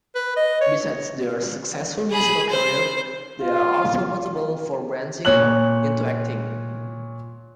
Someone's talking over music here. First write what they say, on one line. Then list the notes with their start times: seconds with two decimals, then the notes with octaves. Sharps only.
Besides their successful musical careers, they are also notable for branching out into acting.
0.15 B4
0.36 D#5
0.61 C#5
2.10 G#4 B5
2.49 C5
3.42 F4
5.25 A#2 C#5 F#6 F#7